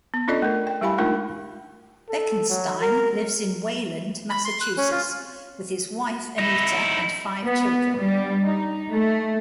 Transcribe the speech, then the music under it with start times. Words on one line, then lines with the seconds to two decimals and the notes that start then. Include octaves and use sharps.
Bekenstein lives in Wayland, Massachusetts, with his wife, Anita, and five children.
0.14 B3
0.28 C#4 D4 F4 A4 D5 D#5
0.42 A3 A#4
0.67 G5
0.81 G3 E4 G4 F5 G#5 B5
0.98 G#3 A3 D4 D#4 F4 A#4
2.09 A4
2.49 F#3
2.81 A#4
4.30 B5
4.45 C6
4.61 F#6
4.77 C#4
4.92 F4
6.38 D#4 E4
7.46 B3
7.99 G3
8.43 D#4
8.92 A3